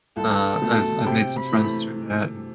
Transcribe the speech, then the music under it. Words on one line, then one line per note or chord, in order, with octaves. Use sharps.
Uh, I've I've made some friends through that and
C2 A4
B2 A3
C3 G5
B5
E3 A3